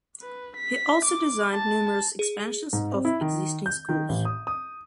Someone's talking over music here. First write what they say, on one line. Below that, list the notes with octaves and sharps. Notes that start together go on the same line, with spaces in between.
He also designed numerous expansions of existing schools.
B4
B6
D6
A5
G#4
G#2
C4
E4
D#3
G6
D#3
A1
D#6
D#6